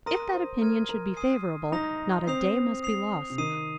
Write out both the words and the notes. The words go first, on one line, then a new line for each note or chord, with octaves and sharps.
If that opinion should be favourable, not a day must be lost.
A#4 C6 D#6 A#6 D#7
C5
A#4 F6 G#6 D#7
A#4
G#5 D#6 C7 D#7
D#4 D#6 A#6 F7
C4 D#6 C7 F7
D#6 C7 F7
C3
D#3 D#6 C7 D#7